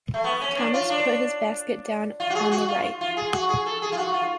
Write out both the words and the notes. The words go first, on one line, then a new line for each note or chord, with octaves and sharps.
Thomas put his basket down on the right.
A3
B3
C#4
D4
F4
D4
F4
F#4
G#4
F#4
F4
F4
G#4
F#4
G#4
A4
G#4
F4
F#4
F4